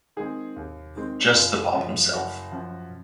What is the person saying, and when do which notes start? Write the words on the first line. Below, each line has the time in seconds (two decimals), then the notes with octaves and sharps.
Just to pop himself.
0.17 D#3 G#3 C4 G#4
0.56 D#2
0.96 D#3 G#3 C4
1.34 F#1 F4
1.73 F#2 F3
2.12 F#1 F#4
2.52 F#2 F3